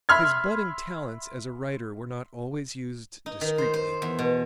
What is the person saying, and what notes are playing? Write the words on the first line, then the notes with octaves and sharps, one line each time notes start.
His budding talents as a writer were not always used discreetly.
E5 B5 C6 F6 G#6
D#4
D#3
C5
C5
E2
B2